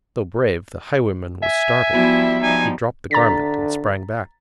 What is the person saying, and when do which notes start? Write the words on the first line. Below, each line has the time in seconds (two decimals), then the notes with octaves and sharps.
Though brave, the highwayman was startled: he dropped the garment, and sprang back.
1.43 E5 G#5
1.92 F3 G3 B3 E4 F#4
2.43 F3 G3 D#4 G#5
3.11 D3 A#5 A6 B6